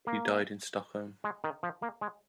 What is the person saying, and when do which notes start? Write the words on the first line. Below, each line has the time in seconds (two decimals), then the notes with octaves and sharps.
He died in Stockholm.
0.07 A#3
1.24 G#3
1.44 D#3
1.63 F3
1.82 A#3
2.01 G#3